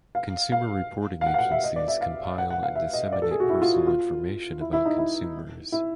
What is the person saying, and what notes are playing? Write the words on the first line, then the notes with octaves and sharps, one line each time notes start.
Consumer reporting agencies compile and disseminate personal information about consumers.
F5
F5
F5
F#5
F5
F#5
E5
D#5
D5
E5
F5
F#5
F#5
F5
E5
D#5
D5
A4
G#4
F#4
E4
F4
F#4
F4
E4
E4
D#4
E4
E4